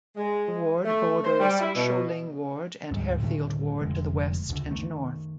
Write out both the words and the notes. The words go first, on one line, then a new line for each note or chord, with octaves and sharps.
The ward borders Sholing Ward and Harefield Ward to the west and north.
G#3
A3
C5
G3
E4
B2
D2 G#2 G3 G#3
A2 D3 D#3 A3
F1 D3 G#3
C#2 D3
D#3 A3